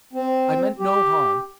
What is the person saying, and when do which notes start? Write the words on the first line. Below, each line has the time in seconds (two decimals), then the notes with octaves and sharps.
I meant no harm.
0.13 C4
0.79 G4